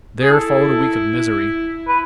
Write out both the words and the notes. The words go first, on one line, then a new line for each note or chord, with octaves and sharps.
There followed a week of misery.
G#4
E4 A4
B4